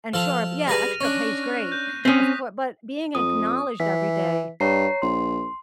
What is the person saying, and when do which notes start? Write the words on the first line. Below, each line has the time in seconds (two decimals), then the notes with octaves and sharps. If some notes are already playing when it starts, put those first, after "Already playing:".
and sure, yeah, extra pay's great, of cour but being acknowledged every day
0.14 F3 A4 A5 F6 F7
0.67 G3 G#4 B4 A#6 D#7
1.01 C#4 D4 C#6 F#6
1.72 G6
2.05 C4 C#4 D#6 G6 B6
3.15 F2 D#6
3.80 E3 B6
4.60 G2 C#5 A#5 C7
5.02 A#1 C6